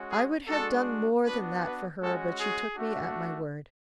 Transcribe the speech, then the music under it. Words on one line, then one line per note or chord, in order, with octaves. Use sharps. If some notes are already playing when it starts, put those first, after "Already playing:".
I would have done more than that for her, but she took me at my word.
Already playing: G#3 C#4 F#4
G#4
G#3 D4 F#4 A4
B3 D4 F#4 B4
B4
G#3 C#4 F#4 A4
G#4
A3 D4 F#4